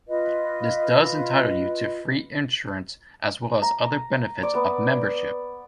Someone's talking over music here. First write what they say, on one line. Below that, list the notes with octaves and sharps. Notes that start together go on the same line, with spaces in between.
This does entitle you to free insurance as well as other benefits of membership.
F4 B4 D#5
A#5
D5
B3